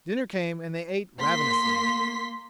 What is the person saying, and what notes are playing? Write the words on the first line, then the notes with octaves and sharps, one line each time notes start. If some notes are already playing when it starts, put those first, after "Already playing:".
Dinner came and they ate ravenously.
A#3 C6 B6